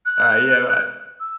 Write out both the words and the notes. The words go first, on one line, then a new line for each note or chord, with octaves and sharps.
alright, yeah, right
F#6
E6